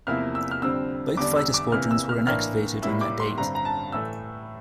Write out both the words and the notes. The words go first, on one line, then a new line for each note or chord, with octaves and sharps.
Both fighter squadrons were inactivated on that date.
E2 C3 F3 A#3 E4 F6
E6
F6
F2 D3 G3 C4 E6
E2 D3 G3 D4 D6
E6
D6
C3 E3 A#3 E4 F6
E6
F6
A2 E3 A#3 D4 F6
A2 G3 A#3 E4 E6
D6
C6
G2 D3 G3 C4 A#5
A#5
A5
A2 E3 A3 E6